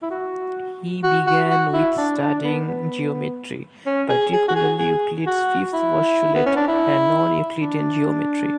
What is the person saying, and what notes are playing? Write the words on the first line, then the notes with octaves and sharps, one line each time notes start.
He began with studying geometry, particularly Euclid's fifth postulate and non-Euclidean geometry.
E4
F#4
F#4
F#4
F#4
E4
D4
D4
B3
B3
C#4
G#4
G#4
F#4
G#4
G#4
F#4
E4
B3
C#4
D4
E4
D4